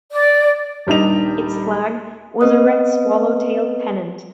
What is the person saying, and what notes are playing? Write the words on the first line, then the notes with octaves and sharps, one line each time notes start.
Its flag was a red swallow-tailed pennant.
D5
D#1 G3 D4 D#4 F7
B3 C4 B4 D#5 D#6